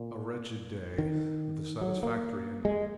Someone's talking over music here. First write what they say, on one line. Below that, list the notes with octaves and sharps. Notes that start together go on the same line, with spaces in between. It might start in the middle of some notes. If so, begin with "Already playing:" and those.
A wretched day with satisfactory ending.
Already playing: A#2
D#3
F#3
A#3
G#3